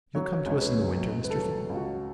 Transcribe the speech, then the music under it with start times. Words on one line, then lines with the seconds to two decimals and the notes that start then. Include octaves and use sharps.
"You'll come to us in the winter, Mr. Finn?"
0.15 F#3 C#5
0.46 C#2 C#5
0.61 B4
0.76 F#3
1.07 C#2
1.24 B4
1.30 A4
1.38 F#3
1.69 C#2 F4
1.77 F#4